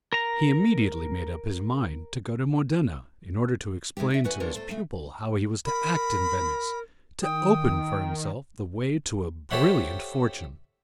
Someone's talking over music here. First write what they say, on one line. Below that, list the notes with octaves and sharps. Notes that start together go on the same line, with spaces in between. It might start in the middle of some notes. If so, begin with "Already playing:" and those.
He immediately made up his mind to go to Modena in order to explain to his pupil how he was to act in Venice to open for himself the way to a brilliant fortune.
A#4 A#5
D#3 G#3 A3 C4 G4
D4 E5
D#2 F#4 B4 G#5
F3 B3 C#4 D4 A#4 C5
E2 A3 A4 C5
C#3 A3
A#4 B5
D#3 G5 D#6
G4 A4 C5 C#5 E5 F#5